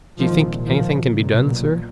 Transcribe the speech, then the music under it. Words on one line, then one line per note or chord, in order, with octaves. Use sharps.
"Do you think any thing can be done, sir?"
C2 A#2 D#3 F3
D#3 F3
B1 A#2 C#3